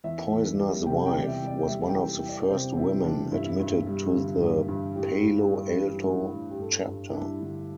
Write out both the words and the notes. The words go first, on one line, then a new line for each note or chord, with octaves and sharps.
Poizner's wife was one of the first women admitted to the Palo Alto chapter.
E2 E5
E2
G3
C3 G5
G5
E2
D5
E5
E2
D5
G3 E5
G5
E2
E3
D5
C3 C5
G3 E4
E2 D4
G2 E4
G2
G3
D3
G2
G2
A2 G4
A2
G3
E3
A2
A2
G4
G2 A4
G2
E4
G3 D4
D3